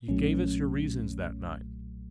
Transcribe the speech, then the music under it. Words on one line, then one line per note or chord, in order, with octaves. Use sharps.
You gave us your reasons that night.
B1 A#2 F#3 A3 C#4